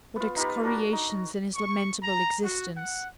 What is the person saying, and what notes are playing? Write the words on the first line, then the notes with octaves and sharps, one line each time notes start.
What excoriations in his lamentable existence!
B3 F4
D#4 F4 G4 B4
D4 F#4 A#4
D#4
C#6
A#5
F#4
F#5